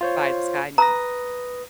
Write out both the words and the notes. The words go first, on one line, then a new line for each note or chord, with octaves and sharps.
by this guy named,
F4 C5 C#5
B4 A#5 D#6 A#6